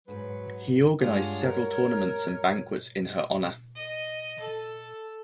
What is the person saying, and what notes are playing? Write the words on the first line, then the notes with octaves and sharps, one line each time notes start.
He organized several tournaments and banquets in her honor.
G#2 F#3 B4
G2 G#3 D4 F4 G#4 C#5 F#5
A#4
D#5
A4